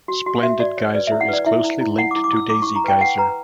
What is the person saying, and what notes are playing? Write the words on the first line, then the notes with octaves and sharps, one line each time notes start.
Splendid Geyser is closely linked to Daisy Geyser.
F#4
F#4
F#4 E5
F#4 D5
C#5
B4 D5
E5
E4
F#5
B4 D5
E4 E5
E4
E4
E4 F#5
D6
E4
D6
E4 E6
E4 D6
C#6
E4
A#5
B4 G5
B4 F#5
B4 A#5